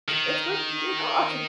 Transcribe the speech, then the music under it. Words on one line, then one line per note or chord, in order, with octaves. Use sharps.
It's going to eat your dog.
D#3